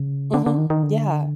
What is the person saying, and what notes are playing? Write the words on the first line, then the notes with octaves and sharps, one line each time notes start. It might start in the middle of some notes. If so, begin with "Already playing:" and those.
Mhm. Yeah.
Already playing: C#3
D3
D3
D#3
D#3
D3